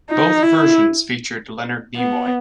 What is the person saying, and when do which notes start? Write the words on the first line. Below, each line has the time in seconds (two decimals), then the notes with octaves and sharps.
Both versions featured Leonard Nimoy.
0.11 D#4
0.43 E4
1.97 B3